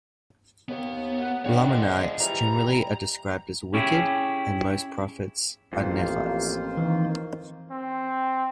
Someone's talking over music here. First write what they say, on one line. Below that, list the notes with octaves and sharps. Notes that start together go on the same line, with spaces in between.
Lamanites generally are described as wicked, and most prophets are Nephites.
D#2 B3
F#5
C#3 G3 D4 C#5 F#5
C#2 F3 G#3 D5 F#5
E3 G3 A#5
C#4 E4 G4 G#4
A1 F2 A#3 F4 C5
D#3 E3
C4